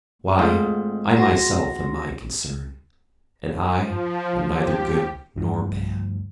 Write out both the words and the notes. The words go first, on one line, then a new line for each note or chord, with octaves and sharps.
Why, I myself am my concern, and I am neither good nor bad.
G#1 G#2 A3 F4
F#4 C6 A#6
F3
G4
D2 G2 F3